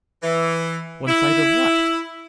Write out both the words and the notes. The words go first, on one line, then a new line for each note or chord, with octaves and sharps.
'One side of WHAT?
E3
E4